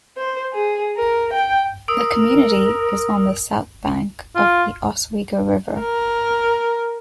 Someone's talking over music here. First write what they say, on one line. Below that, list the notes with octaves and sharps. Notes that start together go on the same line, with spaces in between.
The community is on the south bank of the Oswego River.
C5
G#4
A#4
G5
A#4 D#6 E6 D7
F4
A#4